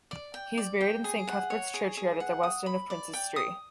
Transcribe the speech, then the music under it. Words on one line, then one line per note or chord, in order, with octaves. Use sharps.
He is buried in Saint Cuthbert's Churchyard at the west end of Princes Stree.
D5
G5
D5
G5
G#4
F#5
C#5
G#4
G#4
F#5
D#6
B5
D5
G5
D#6